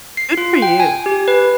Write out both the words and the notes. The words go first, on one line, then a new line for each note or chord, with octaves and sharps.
Good for you.
C7
F4
G5
G#5
G4
B4